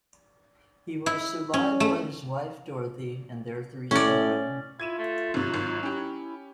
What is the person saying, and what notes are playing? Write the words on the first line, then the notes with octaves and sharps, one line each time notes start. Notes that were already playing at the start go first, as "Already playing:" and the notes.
He was survived by his wife, Dorothy, and their three children.
E4
C#4
A3
A2 C#4 D5
E4 F4 G#6 D#7 E7
A3
G#1 C3 F#3
G#1
C#4 E4 G4